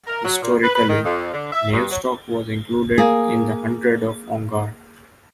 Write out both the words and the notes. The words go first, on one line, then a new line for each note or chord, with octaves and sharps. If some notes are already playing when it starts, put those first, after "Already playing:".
Historically Navestock was included in the hundred of Ongar.
A#4
F#3
A#2
B4
B4
D#3
F2
D3
E5
G2
F#3
A#3 G#4